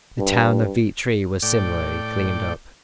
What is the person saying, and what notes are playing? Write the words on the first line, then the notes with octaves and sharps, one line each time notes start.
The town of Vietri was similarly cleaned up.
G2
A2 D5 G5